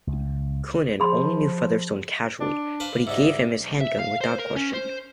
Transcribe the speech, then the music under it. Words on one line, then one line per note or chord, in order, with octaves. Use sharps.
Coonan only knew Featherstone casually, but he gave him his handgun without question.
C#2
F3 G#4 B5 C6
D4
B4 C5 F5
G#2 G3 D#4 E5
B1
E5
F5
C5
A#4
C#4
C5